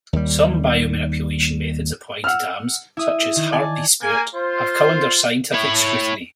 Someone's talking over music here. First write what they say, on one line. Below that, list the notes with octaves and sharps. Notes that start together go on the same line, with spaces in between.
Some biomanipulation methods applied to dams such as Hartbeespoort have come under scientific scrutiny.
D#2 G3
F#5 E6 F6
E4 D#6
D#3
D5 G#5 A5
A#3 G#5
F4 C5
E4 C#5